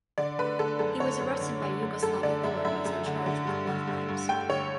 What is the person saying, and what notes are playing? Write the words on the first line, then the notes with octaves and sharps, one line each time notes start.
He was arrested by Yugoslav authorities and charged with war crimes.
D3 D5
D3 B4
D3 A4
F#2 A4
D3 C#5
F#2
D3
D3
F#2
F#2 A4
D3 D5
F#2 E5
F#2 E5
F#2
D3
D3
G2
D3
G2
G2
G2 G5
D3 C#5